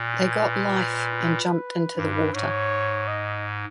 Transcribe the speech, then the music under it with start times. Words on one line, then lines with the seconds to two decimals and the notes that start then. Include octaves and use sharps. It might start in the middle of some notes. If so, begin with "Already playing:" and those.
They got life and jumped into the water.
Already playing: A#2
0.16 B4
1.97 G2
2.34 G#2 C#5
3.07 D#5